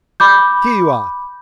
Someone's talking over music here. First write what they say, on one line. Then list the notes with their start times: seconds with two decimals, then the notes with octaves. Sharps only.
'Here you are!
0.20 B5 D6 G6